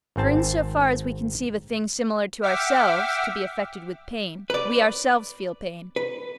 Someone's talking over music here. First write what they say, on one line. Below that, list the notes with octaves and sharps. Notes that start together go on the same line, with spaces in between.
For in so far as we conceive a thing similar to ourselves to be affected with pain, we ourselves feel pain.
G#1 G#2 C4 A5
E5 F#5 G5 D6 E6 F6
B4 D5
B4